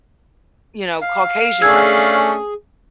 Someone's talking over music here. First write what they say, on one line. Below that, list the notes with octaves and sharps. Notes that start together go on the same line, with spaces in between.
you know, Caucasian race,
F5
A3 C#4 D4 G#4 E6 G#6